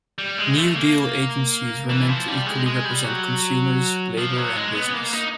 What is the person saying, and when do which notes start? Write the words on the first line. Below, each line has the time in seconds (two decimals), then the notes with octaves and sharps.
New Deal agencies were meant to equally represent consumers, labor and business.
0.18 G3
0.38 G#3
0.57 A3
0.76 A#3
1.90 E3
2.08 F3
2.28 G3
2.46 G#3
2.66 G#3
2.85 G3
3.04 F#3
4.18 F3
4.37 F#3
4.56 G#3
4.75 B3
4.94 A#3
5.13 D#4